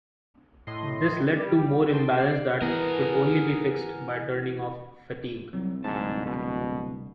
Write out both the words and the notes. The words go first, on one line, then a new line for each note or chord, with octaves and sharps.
This led to more imbalance that could only be fixed by turning off fatigue.
A2 D#5 C6
G3 G4
G5 A5 C6
D5 C7
E3 B3 G#4 A#4
C2 F#3
D1 C2 G#2 A5
B2